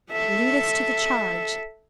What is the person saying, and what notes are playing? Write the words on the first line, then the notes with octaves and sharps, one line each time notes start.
Lead us to the charge!
A4 E5